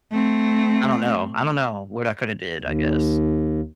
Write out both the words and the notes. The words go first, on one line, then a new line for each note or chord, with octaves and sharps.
I don't know I don't know what I coulda did, I guess.
A3 C4
D#2